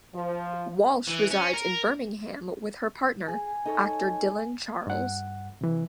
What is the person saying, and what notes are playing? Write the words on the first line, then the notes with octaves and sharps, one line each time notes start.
Walsh resides in Birmingham with her partner, actor Dylan Charles.
F3
E3
C#4
A#4
G#4 G#5
D#4 A4 C#5
G2 F#5
C3 E3